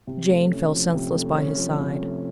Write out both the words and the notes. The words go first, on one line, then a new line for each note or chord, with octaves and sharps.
Jane fell senseless by his side.
C3
A3
C#4
F3
C3
A3
C#4
F3
C3
A3